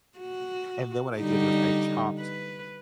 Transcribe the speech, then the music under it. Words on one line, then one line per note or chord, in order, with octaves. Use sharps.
And then what I did was I chopped
F#4
D3 G3 D#4
B4